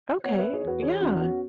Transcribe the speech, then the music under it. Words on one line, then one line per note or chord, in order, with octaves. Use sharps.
Okay, yeah.
B3 C#5 F#5
B4 E5
B3
G#4 C#5
E2 F#4 B4
E3 G#4 C#5
E2 C#4 F#4
B3 C#4 F#4